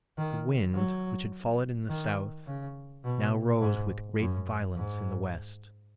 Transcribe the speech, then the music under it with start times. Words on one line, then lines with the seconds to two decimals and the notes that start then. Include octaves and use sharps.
The wind, which had fallen in the south, now rose with great violence in the west.
0.17 D#3
0.74 F#3
1.89 D#3
2.46 C#3
3.04 B2
3.60 G#2
4.18 F#2
4.75 G#2